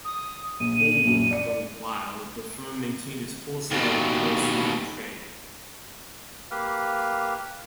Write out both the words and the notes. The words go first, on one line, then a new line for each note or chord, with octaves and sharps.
All the while the firm maintained its wholesale grocery trade.
D#6
A#1 D#7
A#1 F#2
D5 C#7
D5
D#2 B2
A#3 G4 B4 F5